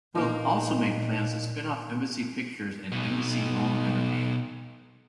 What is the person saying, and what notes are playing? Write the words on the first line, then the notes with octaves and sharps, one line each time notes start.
Coke also made plans to spin-off Embassy Pictures and Embassy Home Entertainment.
A#2 A#3 D#4
B2 D#4